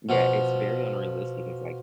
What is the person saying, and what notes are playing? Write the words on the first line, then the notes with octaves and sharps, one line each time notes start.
Yeah, it's very unrealistic. It's, like,
B2 F3